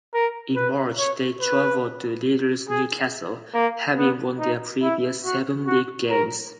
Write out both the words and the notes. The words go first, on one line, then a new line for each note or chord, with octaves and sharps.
In March they travelled to leaders Newcastle, having won their previous seven league games.
A#4
B4
C#5
B4
G#4
A#3
B3
D#4
E4
F#4
F#4
A#4